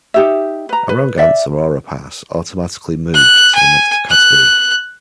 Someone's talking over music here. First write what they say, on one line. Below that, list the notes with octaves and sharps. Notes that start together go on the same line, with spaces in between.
A wrong answer or a pass automatically moved to the next category.
D#4 G4 E5
B4 A#5
B4
D5 E5
F#6
G#5
F#6